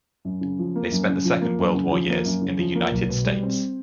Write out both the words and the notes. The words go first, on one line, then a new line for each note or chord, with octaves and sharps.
They spent the Second World War years in the United States.
F#2
C#3
F3
A#3
F#2
C#3
F3
A#3
F#2
C#3
F3
A#3
F#2
C#3
F3
A#3
B1
B2
G3
C4